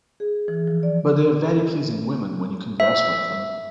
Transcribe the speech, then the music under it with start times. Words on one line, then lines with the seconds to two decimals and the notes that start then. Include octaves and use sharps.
But they are very pleasing women when you converse with them.
0.20 G#4
0.48 E3
0.67 F3
0.83 D5
2.80 E5